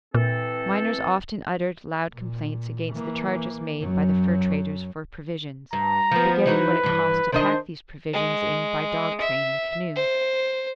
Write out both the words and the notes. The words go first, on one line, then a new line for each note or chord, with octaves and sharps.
Miners often uttered loud complaints against the charges made by the fur-traders for provisions, forgetting what it cost to pack these provisions in by dog-train and canoe.
A#2 E3 C4 A4
A#2
E3 A#3
F#2 F#3
G2 A#5
F3 B3
E3 D#4 F#4 B4
G2 E3
D#3 D4 C5 D#5
G#3
E5
C5